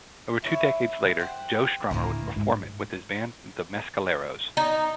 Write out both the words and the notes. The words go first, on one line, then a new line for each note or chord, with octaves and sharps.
Over two decades later, Joe Strummer would perform it with his band the Mescaleros.
E4 C#5 E5
G4 C5 F#5
D2 A2 D#3 E3 A#3
G#2
D#4